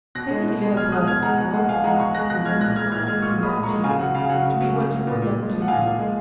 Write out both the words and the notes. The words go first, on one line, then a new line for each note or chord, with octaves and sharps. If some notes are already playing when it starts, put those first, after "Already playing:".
Say that you had a brother, long forgotten, who now at last came back to you to be what you were then to him.
B2 F#6 A#6
G#3
B2
G#3
B2 F6 G#6
G#3 D#6 F#6
B2 F6 G#6
G#3 F#5 A#5
B2 F#5
G#3 F#5
B2 F5 G#5
G#3 F#5 A#5
B2 A#5 C#6
G#3 F#6 A#6
B2 F#6 A#6
G#3 F6 G#6
A#2 F#6 A#6
G#3 F6 G#6
A#2 F6 G#6
G#3 F6 G#6
A#2 C#6 F6
G#3
B5 D#6
A#2
A#5 C#6
G#3
C#3 F5 G#5
F#3 F#5
C#3 F5
G#5
F#3 F#5
C#3
F#3
C#3
F#3
A#2
A#2
G#3
F3
F#5
A#2 F5 G#5
A#2
G#3